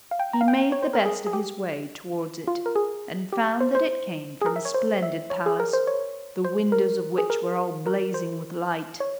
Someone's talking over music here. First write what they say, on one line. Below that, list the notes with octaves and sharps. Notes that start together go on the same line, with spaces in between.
He made the best of his way towards it, and found that it came from a splendid palace, the windows of which were all blazing with light.
F5
G5
A#5
F5
G5
C#5
C5
A#4
G#4
G#4
G4
F4
A#4
G#4
G4
C5
C5
G#4
A#4
E5
C#5
C5
E5
C#5
G#4
A#4
C5
C#5
C5
A#4
G#4
A#4
A#4
C5
C#5